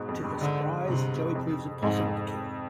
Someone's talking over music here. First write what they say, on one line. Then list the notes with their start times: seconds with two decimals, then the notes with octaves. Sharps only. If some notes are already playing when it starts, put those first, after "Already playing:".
To her surprise, Joey proves impossible to kill.
Already playing: G#2 B2
0.08 F2
0.24 G2
0.41 G#2 D3
0.88 G2 C3
1.35 F2
1.82 F2 G#2